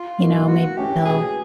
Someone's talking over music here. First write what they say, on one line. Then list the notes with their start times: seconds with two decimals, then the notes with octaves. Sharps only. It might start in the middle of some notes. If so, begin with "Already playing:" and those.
you know, may they'll
Already playing: F4
0.20 F#3 A#3 D#4 F#4
0.48 E3 F#4
0.77 A3 C#4 G4
1.06 B2 G#4